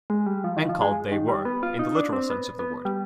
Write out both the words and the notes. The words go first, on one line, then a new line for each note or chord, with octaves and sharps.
And called they were, in the literal sense of the word.
G#3
G3
F3
D#3
F3
G#3
D#3
G3
B3
F4
D#4
D4
C4
B3
B3
G3